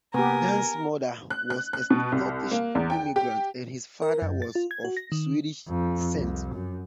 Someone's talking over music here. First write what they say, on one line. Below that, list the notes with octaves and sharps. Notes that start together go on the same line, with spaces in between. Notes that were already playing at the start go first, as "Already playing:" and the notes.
Dan's mother was a Scottish immigrant, and his father was of Swedish descent.
C3 A#3 B3 G4 A#4 G#5
F#6
F#6
F#6
B2
C2
A#3
E2
G5
G4
A#4
F#2
A6
F4
G#6
F#4
A#6
D#3
F2
C2
F#2